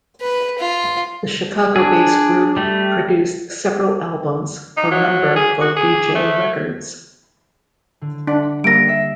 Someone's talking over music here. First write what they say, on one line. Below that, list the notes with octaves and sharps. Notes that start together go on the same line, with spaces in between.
The Chicago-based group produced several albums, a number for Vee-Jay Records.
B4
F4
D4 G#4
G3 A3
D#4
F#3
G#4
F#4
G#4
A3
D3
D4 F#5
G3 A#3 E6 A#6 D7
D#5 E5 C7